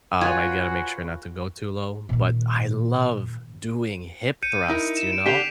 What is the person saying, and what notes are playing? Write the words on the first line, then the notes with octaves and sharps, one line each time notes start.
Um, I've gotta make sure not to go too low. But I love doing hip thrusts, you know,
F4 F#4 B4 C#5 G#5
A#2 D#3
G6 C#7 D#7
D#4 E4 A#4
E7
D7
D3 G4 B6 C7 F7